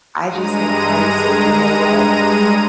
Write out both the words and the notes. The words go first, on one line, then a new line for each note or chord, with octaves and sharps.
I just had kinda said, "You know what"
G2 G#3 A#5 D#7